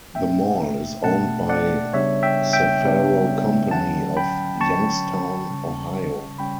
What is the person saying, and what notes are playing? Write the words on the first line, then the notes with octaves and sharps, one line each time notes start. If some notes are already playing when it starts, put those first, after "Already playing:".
The mall is owned by Cafaro Company of Youngstown, Ohio.
B2 A3 D4 E5 G5
B2 A3 D4 F#5 A5
D5 F#5
C#3 G3 B3 D4 C#5 E5
E5 G5
E5 G5
C#3 G3 B3 D4
D3 F#3 C#4 F#5 A5
G5 B5
D3 F#3 C#4 A5 C#6
C#3 G3 C#4
C#3 G3 C#4 G5 B5